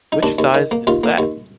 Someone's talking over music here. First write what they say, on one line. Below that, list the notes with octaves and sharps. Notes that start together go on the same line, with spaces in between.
Which size is that?
D#4
D#2 D4
D#2
D#3
A#3
D#2 F4
A#3
D#2